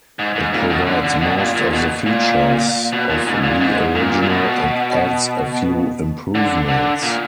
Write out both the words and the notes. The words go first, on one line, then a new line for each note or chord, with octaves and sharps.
It provides most of the features of the original and adds a few improvements.
G#2
G#2
A#2
B2
D3
D3
B2
A#2
A#2
B2
A#2
B2
A#2
G#2
A#2
G#2
A#2
A#2
B2
D3
D3
A#2